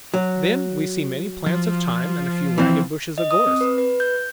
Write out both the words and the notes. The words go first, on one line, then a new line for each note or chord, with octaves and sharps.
Then we see many plants of Thyme, and a few ragged bushes of Gorse.
F#3
F3
E3 C4
D#5
D#6
C4
B4
B4
G6